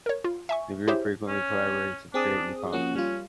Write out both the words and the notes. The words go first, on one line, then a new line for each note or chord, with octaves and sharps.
The group frequently collaborate to create new content.
A#4 C#5
F4
E5 G#5 C#6
E4 G4 G#4 C5 C#5 E5
C#4
C4 D4 G#4 D#6
F3 A#3 C#4 F#4
G3 C#4 F4